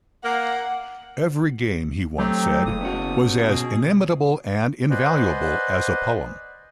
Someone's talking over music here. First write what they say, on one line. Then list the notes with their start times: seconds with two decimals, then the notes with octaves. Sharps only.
Every game, he once said, was as inimitable and invaluable as a poem.
0.24 A#3 F#5
2.18 F#3 A3 C4 D#4 G4
2.66 F#1 D#6
2.81 B3 C#4 F#4
3.49 B2 G#4
4.90 B4 C5 D5 D#5 F#5 G#5